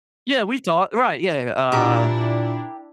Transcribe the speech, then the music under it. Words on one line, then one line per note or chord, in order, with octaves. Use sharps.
Yeah. We talked right. Yeah, uh
A#2 D4 E4 G4 A#4